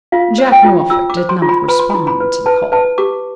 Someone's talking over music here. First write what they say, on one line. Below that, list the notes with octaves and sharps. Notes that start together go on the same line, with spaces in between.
Jack Norfolk did not respond to the call.
F4 F5
C5
G5
F4
F4 E6
D6
C5
C6
F4
B5
B4 B5
C6
E4 B5
B5
B4
B4 A5
B4 A5
G4 D6